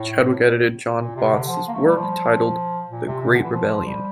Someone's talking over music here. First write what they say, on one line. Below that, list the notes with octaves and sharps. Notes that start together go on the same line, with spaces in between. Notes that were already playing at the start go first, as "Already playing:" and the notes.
Chadwick edited John Botts' work titled "The Great Rebellion".
Already playing: A2
A#2
C3
D3
F3
A#3
A3
G3
F3
A#2
C3
A#2
D3
E3
F3
F3
G3